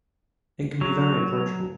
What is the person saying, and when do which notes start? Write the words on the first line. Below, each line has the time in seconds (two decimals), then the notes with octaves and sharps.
It can be very approachable.
0.81 F#3